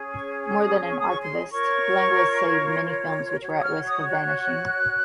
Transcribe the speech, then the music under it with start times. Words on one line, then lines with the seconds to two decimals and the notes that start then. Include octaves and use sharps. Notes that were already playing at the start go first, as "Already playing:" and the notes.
More than an archivist, Langlois saved many films which were at risk of vanishing.
Already playing: C#4 G#4 C#5
0.11 C#6
0.58 D#6
0.89 C#6
0.99 D#6
1.07 C#6
1.21 C6
1.52 F4 A#4 C#5 C#6
3.40 F#4 C#5
3.59 D#6
3.64 F6
3.87 D#6
4.11 F#6